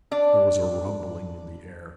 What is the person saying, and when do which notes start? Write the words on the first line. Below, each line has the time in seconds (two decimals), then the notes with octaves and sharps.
There was a rumbling in the air.
0.11 D4 D5